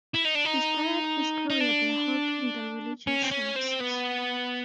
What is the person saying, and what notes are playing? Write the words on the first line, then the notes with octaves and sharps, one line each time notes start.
He started his career by helping the religious sciences.
E4
D#4
D4
D#4
D#4
D4
C#4
C4
C#4
C4
B3